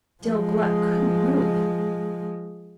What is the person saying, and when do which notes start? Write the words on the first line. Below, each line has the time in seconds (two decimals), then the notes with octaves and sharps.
Still Gluck couldn't move.
0.23 F3 G#3